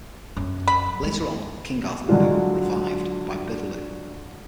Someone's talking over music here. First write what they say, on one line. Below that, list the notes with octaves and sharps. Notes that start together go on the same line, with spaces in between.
Later on, King Arthur would be 'revived' by Biddeloo.
F#2
B5
G#3
D3 F#3 G#3 D4 F4